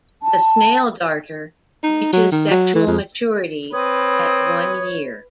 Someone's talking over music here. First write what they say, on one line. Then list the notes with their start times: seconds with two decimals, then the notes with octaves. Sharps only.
The snail darter reaches sexual maturity at one year.
0.23 A5
1.84 D#4
2.13 F#3
2.32 D#3
2.51 F#3
2.75 E3
2.87 F2
3.73 C4 B4 C#5 D#6